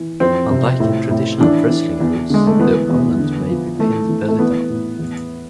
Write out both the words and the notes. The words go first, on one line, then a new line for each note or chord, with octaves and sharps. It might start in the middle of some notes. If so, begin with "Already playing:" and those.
Unlike in traditional wrestling rules, the opponent may be pinned belly-down.
Already playing: E3
F2 C4
C3
A2
A2
E3 D4
E3
E2
D3 G#3
A3
E3 B3
E2
D3
F3
E3 A3
E3
A3
E3 B3
A2
E2